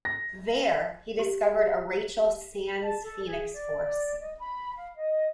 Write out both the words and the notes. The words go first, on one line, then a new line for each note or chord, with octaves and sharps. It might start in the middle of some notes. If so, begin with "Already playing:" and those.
There, he discovered a Rachel "sans" Phoenix Force.
A#6
G4
A5
A4
G#4
D5
D#5
B5
F5
D#5